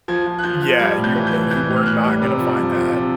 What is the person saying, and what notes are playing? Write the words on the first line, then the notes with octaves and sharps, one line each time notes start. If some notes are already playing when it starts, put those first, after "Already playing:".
yeah, you you were not gonna find that
F3 G#6
F3
F#6
F3 G6
F3
G3 G#6
A2
G6
E3
G6
E3
E3 G6
A2
F6
A2 F#6
G3
C3
F3
F3
F3
C3